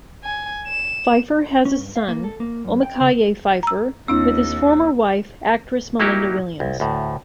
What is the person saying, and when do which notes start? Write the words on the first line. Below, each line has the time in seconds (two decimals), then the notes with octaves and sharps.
Phifer has a son, Omikaye Phifer, with his former wife, actress Malinda Williams.
0.24 G#5
0.68 E7
1.65 C#4
1.78 G2
1.96 F5
2.08 A#3
2.24 A4
2.40 A#3
2.65 F#2
2.83 G5
3.00 C#3
3.63 A#5 E6
4.08 D#2 C4 D4 E4 E6
6.00 F#3 A#3 D#4 E4 F#4 G4
6.60 C2
6.80 D2 A2